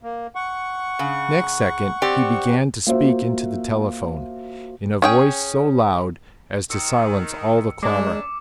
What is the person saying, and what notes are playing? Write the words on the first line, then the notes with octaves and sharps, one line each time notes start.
Next second he began to speak into the telephone, in a voice so loud as to silence all the clamor.
A#3
F#5 C#6
C#3
C4 G4 D5
A#3 F4 F#4 C5 E5
C#4 G#4 G5
D#3 E6 C#7
G#3 A#3 C#4 D4 D6